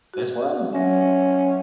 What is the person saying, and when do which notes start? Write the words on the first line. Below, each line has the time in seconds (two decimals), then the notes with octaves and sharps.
This world?
0.14 F#4
0.73 F#3 C#4 E5